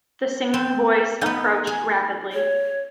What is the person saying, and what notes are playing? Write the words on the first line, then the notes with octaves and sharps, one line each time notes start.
The singing voice approached rapidly.
C4
B3 D#4
G#4
C#5